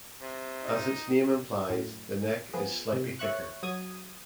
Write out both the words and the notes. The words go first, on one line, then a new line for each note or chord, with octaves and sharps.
As its name implies, the neck is slightly thicker.
C3
D#4
F#2 A2
F3 B3 G#4
C3
C#5 E5 C#6 F#6
F#3 D#6 G#6 D#7